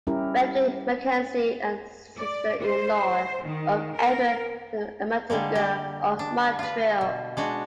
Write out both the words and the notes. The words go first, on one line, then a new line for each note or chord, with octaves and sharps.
Frederick Mackenzie and sister-in-law of Edward Ermatinger, of Montreal.
G3 C#4 E4 G4 A#4
D5
C5
D#3
A#4
D3 G3 G#3 A#3
G4
D4
F4 B4
B2
G#3 D4 F#4